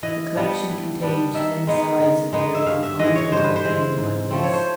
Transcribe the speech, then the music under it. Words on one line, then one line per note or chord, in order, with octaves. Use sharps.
The collection contained ten sides with the lyrical content all penned by Willis.
E3 D#5
G3 B3 D4
E3
G3 B3 D4
D#3 E5
G#3 B3 D#4
D#3
G#3 B3 D#4
E5
G2 F5
E5
E3 G#3 D#5
C#5
G2 C5
B4
C5
E3 G#3
G#2
F3 A3 C4
C#5
C5